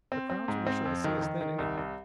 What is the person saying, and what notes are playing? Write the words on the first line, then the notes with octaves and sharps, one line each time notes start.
"The crowds will be sure to see us then, anyhow."
C4
C4
G#2
C4
F2
D#3
D#3
D#3
C2
C2